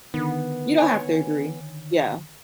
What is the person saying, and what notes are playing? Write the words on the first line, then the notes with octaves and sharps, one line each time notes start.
You don't have to agree. Yeah.
D3 D#3 B3
C#5 G#5